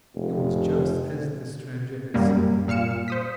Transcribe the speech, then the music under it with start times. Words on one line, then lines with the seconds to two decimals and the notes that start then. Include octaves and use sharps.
It was just as the stranger had said.
0.15 F1
2.14 F#2 G3 A#3
2.68 A#2 F5 F6 C#7 E7
3.08 C5 D#6 B6